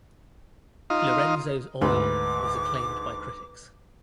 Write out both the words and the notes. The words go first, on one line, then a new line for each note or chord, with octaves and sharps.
"Lorenzo's Oil" was acclaimed by critics.
D#4 F4
D2 G#2 B4 D6